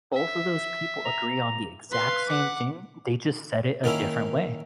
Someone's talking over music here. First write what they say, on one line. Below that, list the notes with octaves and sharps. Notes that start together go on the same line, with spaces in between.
both of those people agree on the exact same thing, they just said it a different way.
E5
A#5
B4 F5 C6
F#5 D6
D#3 A#3 C#4 E4